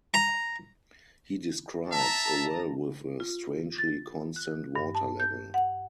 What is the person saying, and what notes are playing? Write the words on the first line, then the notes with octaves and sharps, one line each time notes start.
He describes a well with a strangely constant water level.
A#5
E5 A5 A#5
F4
A6
F#6
G2
A5
G6
F#5